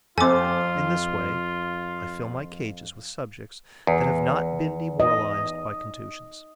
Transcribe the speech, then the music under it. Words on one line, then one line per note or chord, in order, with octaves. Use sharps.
In this way, I fill my cages with subjects that have not been demoralized by contusions.
F2 C4 F4 A4 G#5 D6
E2
D#5